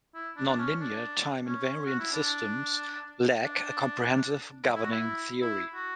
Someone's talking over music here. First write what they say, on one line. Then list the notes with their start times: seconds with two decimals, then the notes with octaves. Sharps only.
Nonlinear time-invariant systems lack a comprehensive, governing theory.
0.14 E4
0.37 D4
0.48 D4
0.59 C#4
0.80 D4
1.47 C#4
1.86 F#4
1.99 E4
2.12 D4
3.44 D4
4.75 E4
4.83 F#4
4.92 E4
5.42 E4
5.74 F#4